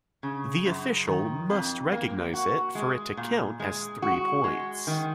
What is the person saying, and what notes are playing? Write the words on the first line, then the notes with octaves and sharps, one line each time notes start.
The official must recognize it for it to count as three points.
C#3
F#2
D#3
F2
A#3
F#4
G#3
A#2
G#3
F#4
G#3
D#3